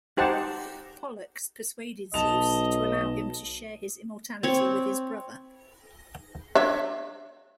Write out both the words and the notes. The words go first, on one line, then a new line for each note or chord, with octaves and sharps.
Pollux persuaded Zeus to allow him to share his immortality with his brother.
D#4 G4 C5 F#5 A5
B1 D#5 A5 F7
C4 C#5
D4 C#5 E5